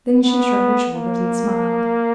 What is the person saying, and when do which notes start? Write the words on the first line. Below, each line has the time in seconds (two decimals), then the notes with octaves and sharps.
Then she shrugged her shoulders and smiled.
0.23 B3
0.93 A#3